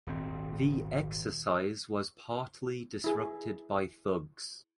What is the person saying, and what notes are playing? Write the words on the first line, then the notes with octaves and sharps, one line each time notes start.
The exercise was partly disrupted by thugs.
D#1 G#1 C4
E4 G#4